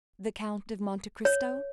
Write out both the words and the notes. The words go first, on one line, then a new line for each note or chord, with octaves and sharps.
"The Count of Monte Cristo?"
C#5